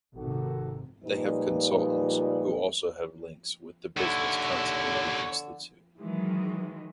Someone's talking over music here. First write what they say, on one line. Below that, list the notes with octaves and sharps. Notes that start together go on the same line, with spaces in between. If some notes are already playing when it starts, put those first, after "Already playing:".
They have consultants who also have links with the Business Continuity Institute.
G#1 C3 D#3 F#4 A4
A#2 F3 G3 G#3 D#4 B4
D#2 D3 E4 C#5
D#3 E3 F#3 G#3